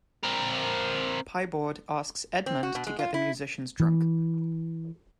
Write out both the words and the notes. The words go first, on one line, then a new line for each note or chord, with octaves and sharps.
Pieboard asks Edmond to get the musicians drunk.
C4 A#4
C4
F#4
B2
G#3
F4
E4
E3